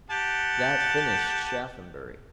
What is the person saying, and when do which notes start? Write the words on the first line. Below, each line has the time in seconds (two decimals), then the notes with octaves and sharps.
That finished Shaphambury.
0.10 G4 F#5 A5